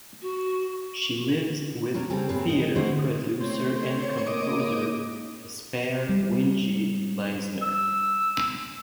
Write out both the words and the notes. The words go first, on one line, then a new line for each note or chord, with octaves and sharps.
She lives with theatre producer and composer Jesper Winge Leisner.
F#4
F#3 C#4 D4
C#3 G3 C4 A4
G2 A#2 C#3 B3 C4 D4
D#4 D#5
D3 A3 C4 F#4 C5
A3 C4 C#5
A#3 D#5 D6
G3
E6